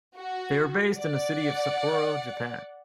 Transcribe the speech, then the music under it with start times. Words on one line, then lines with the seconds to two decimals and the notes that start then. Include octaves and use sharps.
They are based in the city of Sapporo, Japan.
0.17 F#4
0.98 D5 F#5